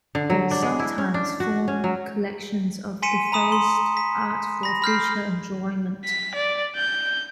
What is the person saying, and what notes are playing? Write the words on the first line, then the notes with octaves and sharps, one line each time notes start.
They sometimes form collections of defaced art for future enjoyment.
D3
F#3
D4
G#3
E4
C#4
D4
F#4
C#4
F#3
G#5 C6 B6 C#7 D#7 E7
A#5 B5 D#6 E7
C6
B6
B5 A#6
B5 F6 G6 C7
B6
D5
G6